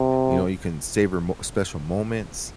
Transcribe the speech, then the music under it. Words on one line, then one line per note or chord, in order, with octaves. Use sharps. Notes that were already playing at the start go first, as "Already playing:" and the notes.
you know, you can savor mo special moments
Already playing: C3